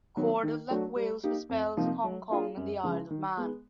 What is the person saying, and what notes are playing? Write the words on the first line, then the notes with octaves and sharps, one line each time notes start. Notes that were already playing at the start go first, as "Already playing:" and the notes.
Cordell left Wales for spells in Hong Kong and the Isle of Man.
D#3 F#3 B3
D#3
F#3 A3 D4 F#4
G3
A#3 D#4 G4
F2
C3 F3 A#3 D#4
F#3
A#3 D4 F4 G#4
F#2
C#3 F3 G#3
D#3
G#3 B3